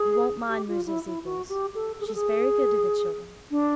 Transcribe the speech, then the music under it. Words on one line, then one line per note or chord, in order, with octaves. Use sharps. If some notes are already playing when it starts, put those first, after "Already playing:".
You won't mind Mrs. Eagles; she's very good to the children.
Already playing: G#4
G4
F4
E4
E4
F#4
G4
A4
G#4
A4
G#4
D4